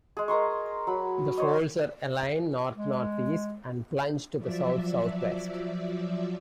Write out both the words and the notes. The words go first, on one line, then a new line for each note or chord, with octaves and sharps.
The folds are aligned north-north east and plunge to the south south west.
G#3 G#4
A#4 A#5 C6 C#6
F#3 B5
C5 C#5 D#5
G#3
F3 F#3 D5 E5